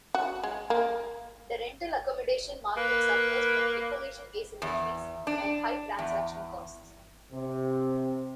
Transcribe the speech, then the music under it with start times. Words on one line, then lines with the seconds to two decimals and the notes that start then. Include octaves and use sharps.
The rental-accommodation market suffers from information asymmetries and high transaction costs.
0.15 F#4
0.44 G#3
0.70 A#3
2.76 A#3 B4
4.62 E2
5.27 D4
5.99 E2
7.32 C3